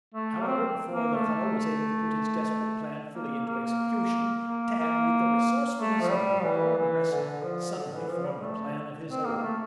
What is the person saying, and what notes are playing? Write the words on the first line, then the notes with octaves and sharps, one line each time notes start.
However, before the fellow was able to put his desperate plan fully into execution, Tad, with the resourcefulness of a born wrestler, suddenly formed a plan of his own.
A3
A#3
C4
A#3
A3
A#3
A#3
A#3
A#3
A3
F3
G3
E3
E3
D3
F3
D3
E3
F3
G3
A3
C4
A#3
A#3
A3